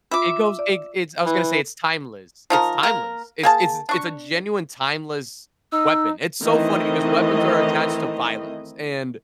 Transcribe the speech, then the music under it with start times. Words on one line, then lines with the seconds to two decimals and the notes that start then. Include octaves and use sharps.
it goes it it's I was gonna say it's timeless, it's timeless. It's it's it's a genuine timeless weapon. It's so funny because weapons are attached to violence, and,
0.11 F4 E5 B5 D6
0.59 D5
1.25 E3
2.50 F3 D#4 A#4
2.83 A#3 A#4
3.43 A#3 G#4 A5
3.89 D4 C#6
5.72 D#4 E6
6.42 D#3 E3 A3 C4 E4 D#5